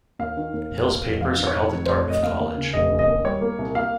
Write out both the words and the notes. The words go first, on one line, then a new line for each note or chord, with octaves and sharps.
Hill's papers are held at Dartmouth College.
D#2 F5
D#3
D#2
F1
D#2
F1
F2 F5
D#3
C#5
F1
F2
F1 C5
C#5
F1 D#5
D#2 F5
D#2
C#3
F1 D#5
C#3
D#5
D#2
G3 C#5
A#3
C2
A#3 F5